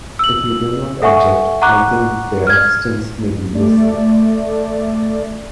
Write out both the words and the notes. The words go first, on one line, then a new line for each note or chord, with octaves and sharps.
If you do not object I think their assistance may be useful.
E6 F#7
A4 E5 F#5 G#5 C#6
F#5 A#5 C#6 D6 F#6
F6 G#6
A3 D5